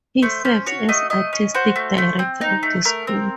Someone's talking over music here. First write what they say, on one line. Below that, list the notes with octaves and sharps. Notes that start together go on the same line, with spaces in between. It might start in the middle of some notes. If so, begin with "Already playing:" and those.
He serves as artistic director of the school.
A3 C5
C#4 C5
F#4 C#5
A3 D#5
A3 D#5
C#4
F#4 C5
A3
A3
C4
D#4
A3
A3 A#4
C4